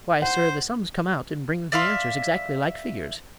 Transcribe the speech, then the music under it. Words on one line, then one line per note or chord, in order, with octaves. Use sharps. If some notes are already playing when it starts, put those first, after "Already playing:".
Why, sir, the sums come out, and bring the answers exactly like figures.
C5 F#5
D5 E5 F5 C6